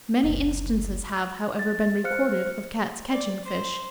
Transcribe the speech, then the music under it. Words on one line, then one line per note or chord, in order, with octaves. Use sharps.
Many instances have, however, been recorded of Cats catching fish.
F#1 C2
A6
C5 F5 F6 F#6 C#7
D5
C5